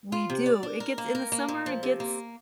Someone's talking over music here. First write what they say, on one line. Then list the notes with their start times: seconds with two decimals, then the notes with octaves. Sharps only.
We do. It gets in the summer, it gets,
0.12 F4
0.30 C3
0.46 D5
0.63 D4
0.80 A#4
0.98 A#3
1.15 A#4
1.32 A#3
1.48 A#2
1.66 F3
1.83 C3
2.00 A#3